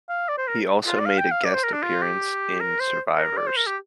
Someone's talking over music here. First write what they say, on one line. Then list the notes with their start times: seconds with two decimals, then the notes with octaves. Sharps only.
He also made a guest appearance in "Survivors".
0.09 F5
0.28 D5
0.38 C5
0.48 A#4
0.86 F4
0.99 D5
1.05 F5
1.18 G5
1.31 F5
1.44 D5
1.54 C5
1.64 A#4
1.73 D4
1.82 F4
2.02 G4
2.60 A#4
2.80 C5
3.18 A#4
3.37 D5
3.47 C5
3.56 A#4
3.67 G4